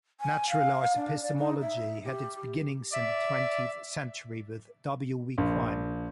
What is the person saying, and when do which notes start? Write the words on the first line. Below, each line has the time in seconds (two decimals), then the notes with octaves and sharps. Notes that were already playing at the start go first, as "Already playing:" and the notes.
Naturalized epistemology had its beginnings in the twentieth century with W. V. Quine.
0.20 G#5
0.49 F5
0.96 D4
1.23 D5
1.38 D#4
1.61 E5
2.04 G4
2.93 D5 E5
5.38 A#1